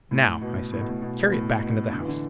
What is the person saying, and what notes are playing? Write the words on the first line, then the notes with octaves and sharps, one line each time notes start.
"Now," I said, "carry it back into the house."
A2
B2
A2
B2
A2
B2
B2
A2
B2
D3
E3
D3